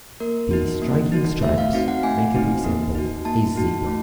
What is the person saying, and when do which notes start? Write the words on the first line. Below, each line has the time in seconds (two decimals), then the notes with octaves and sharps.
The striking stripes make it resemble a zebra.
0.20 A#3 A#4
0.51 D#4 F#4
0.82 A#3
1.12 D#4 F#4
1.42 A3 E5
1.58 F5
1.73 C4 D#4 F#4 F5
1.88 F#5
2.03 A3 G#5
2.34 C4 D#4 F#4
2.64 A#3
2.95 D#4 F#4
3.25 A#3 A5
3.56 D#4 F#4
3.86 A3